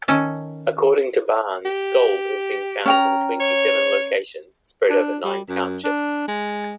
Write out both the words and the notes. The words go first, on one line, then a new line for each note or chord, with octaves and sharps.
According to Barnes, gold has been found in twenty-seven locations spread over nine townships.
D#3 C#4 A4
G4
C#4 G5 A#5
C#5
D4
G3
F#2
D4
G#3